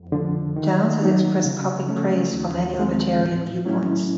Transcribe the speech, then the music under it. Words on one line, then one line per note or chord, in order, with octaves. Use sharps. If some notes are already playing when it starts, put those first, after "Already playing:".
Downs has expressed public praise for many libertarian viewpoints.
Already playing: F2
D3 F3
D#3
F#3 A#3 D#4
C#3
F3 A3 C#4
D#2
D#3 G#3 C4
A2
F#3 A3 C#4 E4